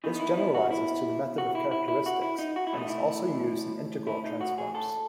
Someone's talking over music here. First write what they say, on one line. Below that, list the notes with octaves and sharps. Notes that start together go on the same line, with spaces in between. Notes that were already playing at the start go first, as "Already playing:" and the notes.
This generalizes to the method of characteristics, and is also used in integral transforms.
E3 B3 D#4
D#4
E4
D#4
E4
F#4
E4
F#4
E4
E4
E4
F#4
E4
D#4
F#4
E4
A2 E3 A3 C#4 D#4
E4
E4
D#4
F#4
G#4
A4